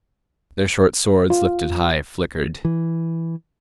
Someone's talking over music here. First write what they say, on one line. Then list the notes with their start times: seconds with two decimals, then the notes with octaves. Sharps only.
Their short swords, lifted high, flickered.
1.30 F4
2.65 E3